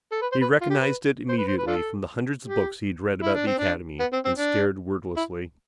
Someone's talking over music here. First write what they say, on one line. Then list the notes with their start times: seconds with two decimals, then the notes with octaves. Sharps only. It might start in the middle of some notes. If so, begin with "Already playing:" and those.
He recognized it immediately from the hundreds of books he had read about the Academy and stared wordlessly.
0.12 A4
0.22 B4
0.32 C5
0.41 B4
0.61 F4
0.70 G4
0.80 B4
1.29 C5
1.38 B4
1.48 C5
1.58 B4
1.67 D4 F4 A4
2.45 G4
3.23 E4
3.34 D4
3.47 C4
3.58 D4
4.00 B3
4.13 C4
4.25 C4
4.38 D4
5.17 E4